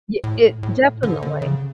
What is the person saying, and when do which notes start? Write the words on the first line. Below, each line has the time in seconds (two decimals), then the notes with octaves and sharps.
Ye it definitely.
0.24 A2
0.63 A2
1.03 D3
1.22 D3
1.42 C#3